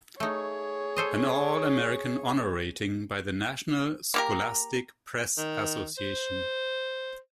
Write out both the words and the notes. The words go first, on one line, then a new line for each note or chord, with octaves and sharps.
An All-American honor rating by the National Scholastic Press Association.
A3 D#4 G#4 C#5
A4 C5 D#5
A#3 G4 A#4
D#3
C5